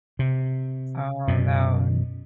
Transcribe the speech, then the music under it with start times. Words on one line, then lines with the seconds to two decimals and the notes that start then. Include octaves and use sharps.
Oh no,
0.19 C3
1.28 F#2 B2